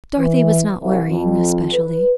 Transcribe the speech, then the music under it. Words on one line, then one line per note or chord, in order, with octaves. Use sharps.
Dorothy was not worrying, especially.
E3
C2
F2
B4